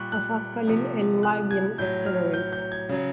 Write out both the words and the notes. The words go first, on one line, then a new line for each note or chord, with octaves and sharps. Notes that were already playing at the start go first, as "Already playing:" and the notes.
Asad Khalil, a Libyan terrorist.
Already playing: A#2 G3 C#6 F#6
F#6
C3 F3
F#6
G#6
A2 F#3 G6
F6
G6
G6
G#6
C#3 F#3